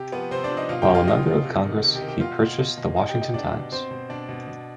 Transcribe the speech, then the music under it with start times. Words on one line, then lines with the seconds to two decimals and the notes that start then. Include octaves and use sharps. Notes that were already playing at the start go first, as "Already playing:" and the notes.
While a member of Congress he purchased the "Washington Times".
Already playing: C3 G4
0.12 F3 B3 B4
0.31 C3 C4 C5
0.44 D4 D5
0.50 F3
0.57 D#4 D#5
0.69 B2 F4 F5
0.82 G4 G5
0.88 B2
0.94 F4 F5
1.07 B2 D#4 D#5
1.26 B2
1.45 C3
1.64 D#3
1.83 C3
1.95 G4 G5
2.01 D#3
2.08 G4 G5
2.21 B2 F4 F5
2.40 B2
2.59 B2
2.78 B2
2.96 B2 D#4 D#5
3.09 G4 G5
3.15 B2
3.21 D#4 D#5
3.34 B2 D4 D5
3.53 B2
3.72 B2 C4 C5
3.91 B2
4.09 B2 D4 D5
4.29 B2
4.48 B2